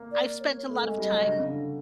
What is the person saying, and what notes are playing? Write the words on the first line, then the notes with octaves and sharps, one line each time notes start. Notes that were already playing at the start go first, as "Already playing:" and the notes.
I've spent a lot of time
Already playing: A#3
D5
C#5
A3
G#3
G3 D#5
F#3
D3
C#3
D3